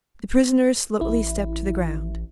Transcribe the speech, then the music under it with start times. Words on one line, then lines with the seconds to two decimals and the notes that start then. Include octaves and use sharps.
The prisoner slowly stepped to the ground.
1.01 A1 E4